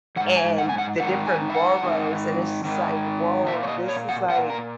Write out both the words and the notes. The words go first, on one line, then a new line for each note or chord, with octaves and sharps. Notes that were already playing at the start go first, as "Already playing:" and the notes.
and the different boroughs, and it's just like, "Woah, this is like
D#3 F#5
G#2
G#5
F#5
G#5
F#5
G#2 D#3 F#5
G#5
E5
F#5
G#2 D#3
G#2 D#3
A#2 E5
C#5
D#5
C#5
F#5
A#2 F#5
A#4